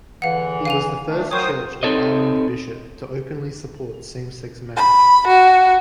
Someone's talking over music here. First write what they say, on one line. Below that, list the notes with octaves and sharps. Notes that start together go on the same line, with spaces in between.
He was the first Church of Ireland bishop to openly support same-sex marriage.
E2 D3 E3 F5 F#5
F5 G#5 F7
A3 D4
F#3 A#4 C5 C#5 G5 C#6 D#6
C4 D#4 A4 C#5 D#5
B5
F#4